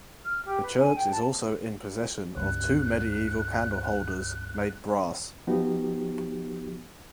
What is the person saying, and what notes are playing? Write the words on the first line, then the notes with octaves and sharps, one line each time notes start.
The church is also in possession of two medieval candle holders made brass.
F6
G4
B4
G#5
G5
A5
C#2 G2 G3 F#6
F3 B3 D#4 F#4 G4